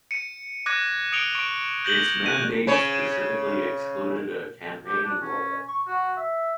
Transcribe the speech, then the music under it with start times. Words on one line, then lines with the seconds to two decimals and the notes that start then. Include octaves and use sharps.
Its mandate specifically excluded a campaigning role.
0.11 C#7 D#7
0.66 D6 F#6 G#6 A#6 D#7
1.12 D#6 C#7 D7 F7 G7
1.35 C#6 D7
1.85 G6 A#6 F#7 G7
2.26 F#6 D#7
2.67 C#3 C#5
4.87 G4
5.04 D4
5.21 C#4
5.68 C#6
5.87 F#4
6.17 E5